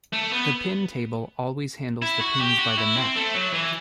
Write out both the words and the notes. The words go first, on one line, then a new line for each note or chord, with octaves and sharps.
The pin table always handles the pins by the neck.
A3
B3
E4
F#4
G4
F#4
E4
C4
A3
F#3
E3